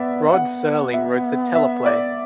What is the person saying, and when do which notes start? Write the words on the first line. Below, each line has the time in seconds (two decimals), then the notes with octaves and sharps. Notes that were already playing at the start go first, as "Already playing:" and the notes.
Rod Serling wrote the teleplay.
Already playing: B3 D5 E5
0.33 C#4 F#5
0.36 B3
0.94 E5
1.55 E5
1.86 D5